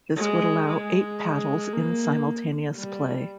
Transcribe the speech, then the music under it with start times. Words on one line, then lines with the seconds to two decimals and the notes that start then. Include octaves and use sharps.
This would allow eight paddles in simultaneous play.
0.16 G#3
0.68 G#3
1.73 A#3
2.76 G3